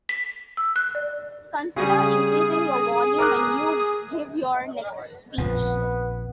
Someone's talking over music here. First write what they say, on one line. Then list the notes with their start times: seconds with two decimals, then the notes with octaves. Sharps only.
Consider increasing your volume when you give your next speech.
0.09 B6
0.57 E6
0.76 F#6
0.95 D5
1.76 C#3 G3 G#4 D#6
3.18 A#4 D6 F#6
5.38 A#1 F2 F3 B3